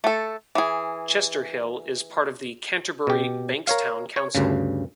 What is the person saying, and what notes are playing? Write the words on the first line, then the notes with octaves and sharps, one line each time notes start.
Chester Hill is part of the Canterbury-Bankstown Council.
A3 A4
E3 G#4
B2 G4
A#4 C#5 F5
C#5
D2 G2 C#3